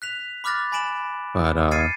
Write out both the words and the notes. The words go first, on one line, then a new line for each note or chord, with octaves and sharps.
but, uh
F#6 B6 F7
B5 D6 F6 F#6 A6 A#6
G#5 B5 A#6 D7 E7 F#7
F6 G#6 A6 C7 C#7 D#7